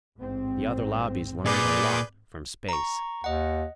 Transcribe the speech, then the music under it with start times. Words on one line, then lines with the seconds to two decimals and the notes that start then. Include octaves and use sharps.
The other lobbies learned a lot from Space.
0.17 A1 G#2 C4
1.46 A#2 G#4 B4 D5 G6
2.69 A#5 C#6
3.24 D#2 D#5 F#5